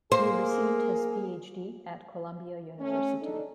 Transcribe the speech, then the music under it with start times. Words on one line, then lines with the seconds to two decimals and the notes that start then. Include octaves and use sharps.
He received his PhD at Columbia University.
0.12 A#3 G#4 C5
2.79 A3 C#4
3.21 D4 D#4 A4